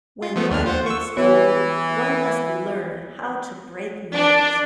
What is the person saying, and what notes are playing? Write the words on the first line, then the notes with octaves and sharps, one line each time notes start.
When one gets old, one must learn how to break mirrors.
F4
F3 A3 B3
D#2 D4 F6
F4 C5 F#5
C#6 E6
E3 B3 F#4 C#5
D4